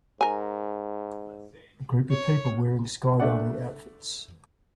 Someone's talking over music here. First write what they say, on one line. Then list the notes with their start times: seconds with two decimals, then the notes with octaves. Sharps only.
A group of people wearing skydiving outfits.
0.21 G#2 A#4 G#5
2.11 C#5
3.20 A3 D4 D5 F#5